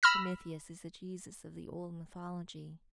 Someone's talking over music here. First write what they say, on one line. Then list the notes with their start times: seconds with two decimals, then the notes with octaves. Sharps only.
Prometheus is the Jesus of the old mythology.
0.03 B5 E6 F6 A#6